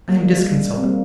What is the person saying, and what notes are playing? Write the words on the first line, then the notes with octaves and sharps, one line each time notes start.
I am disconsolate.
G3 A#3
G#3
G3
G3
C4
G3 A#3